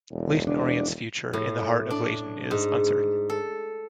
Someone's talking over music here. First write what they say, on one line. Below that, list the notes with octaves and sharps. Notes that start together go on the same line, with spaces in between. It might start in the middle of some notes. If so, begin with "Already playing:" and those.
Leyton Orient's future in the heart of Leyton is uncertain.
E1
D4
A2
D4
G#2
A4